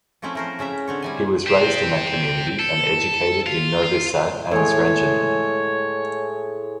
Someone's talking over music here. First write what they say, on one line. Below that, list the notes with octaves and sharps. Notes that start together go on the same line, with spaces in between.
He was raised in that community and educated in Novi Sad and Zrenjanin.
F3 A3 C4 C#4 E4
A3 A#4 C5
C#3 C#4 E5 A#5
D3 C4 C#5
G3 E4 G#5
G4 C5
A4
F4
F4
A2 G#3 C#5